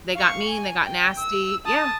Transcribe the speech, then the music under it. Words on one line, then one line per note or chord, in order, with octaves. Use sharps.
They got mean, they got nasty yeah.
F5 C#6
G#5
G5
E6
A5 D#6